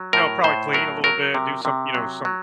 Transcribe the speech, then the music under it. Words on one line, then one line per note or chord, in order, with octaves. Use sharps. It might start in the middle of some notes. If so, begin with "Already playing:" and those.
you know, probably clean a little bit, do some you know, some
Already playing: F#3
A2 A#4
A2 C5
F#3 A#4
F#3 A#4
C3
C3
F#3
F#3